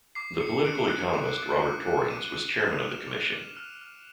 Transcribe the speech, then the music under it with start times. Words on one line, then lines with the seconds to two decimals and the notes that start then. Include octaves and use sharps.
The political economist, Robert Torrens was chairman of the Commission.
0.15 D6 C7
0.40 D6 C#7
0.64 F#6 D7
0.90 F#6
1.14 D6
1.38 D6
1.62 F#6
1.87 F#6
2.10 D6 D#7
2.34 D6
2.54 D#7
2.59 F6 E7
2.76 F7
2.84 F6 D#7
2.92 E7
3.07 D6
3.33 D6
3.57 F6
3.81 F6